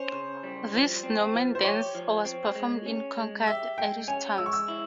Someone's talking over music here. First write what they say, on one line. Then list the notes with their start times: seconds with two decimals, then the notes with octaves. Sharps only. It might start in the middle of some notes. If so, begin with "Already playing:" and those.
This Norman dance was performed in conquered Irish towns.
Already playing: C#4 C5
0.13 C#3
0.43 G3
0.74 F3
1.03 C4
1.34 F3
1.55 C5
1.65 G4 C#5
1.95 F3
2.25 C4
2.55 G#3
2.86 C#4
3.17 G#3
3.47 G4 E5
3.78 G#3 G5
4.08 C#4 G#5
4.38 G#3 E6
4.46 C#6
4.53 E6
4.68 E4